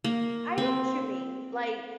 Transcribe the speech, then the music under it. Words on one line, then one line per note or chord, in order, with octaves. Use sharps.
n I know what you mean, like
A#3
C4